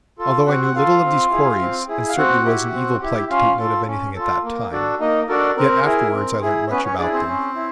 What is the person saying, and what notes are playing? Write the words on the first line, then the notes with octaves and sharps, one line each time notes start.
Although I knew little of these quarries, and certainly was in evil plight to take note of anything at that time, yet afterwards I learnt much about them.
F4 A4
C4 F#4 F#5
F#5
F4 A4 F5
C4
E4 G#4
C4
E4 G#4
F5
C4 F#4 F#5
E4 G4
C4
E4 G4
C#4 F4 F5
F4 A4
C#4
F4 A4
A#3
D4 F#4 A4
A#3 D#4 D#5
D4 F#4 A4 A#4
C4 A#4
E4 G#4
C4
E4 G#4
B3 C#4 B4
C#4 C#5
D4 E4 G#4 D5
C4 C5
C#4
E4